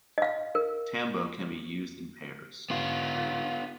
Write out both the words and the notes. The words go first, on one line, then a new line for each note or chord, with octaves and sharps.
Tambo can be used in pairs.
D#5 F5
A#4
B3 F4